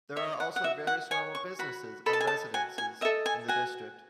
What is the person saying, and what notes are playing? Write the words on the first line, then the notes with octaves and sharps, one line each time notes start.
There are also various normal businesses and residences in the district.
C#5 E5
F#5
F#5
F#4 E5
F#5
C#5 G#5
C#6
F#4 B5
A4 D#5 A5 B5
G#5
A5
F#4 G#5
G#5
A4 D#5 E5
G#5
F#4 G#5